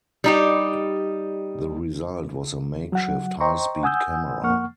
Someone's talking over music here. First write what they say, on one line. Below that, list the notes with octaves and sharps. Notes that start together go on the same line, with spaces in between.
The result was a makeshift high-speed camera.
G3 D#4 G4
F#3 F#5
C5 D#5 G5 A#5 C6 C#6
F#5 G#5 D#6 E6 G6
F2 A#3 F#5 C#6 F6